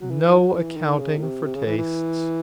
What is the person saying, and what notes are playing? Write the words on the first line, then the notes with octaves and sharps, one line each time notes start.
No accounting for tastes!
F#3
E3
E3
F#3
E3
D#3
C#3
A2
C3
C3
C#3
E3
E3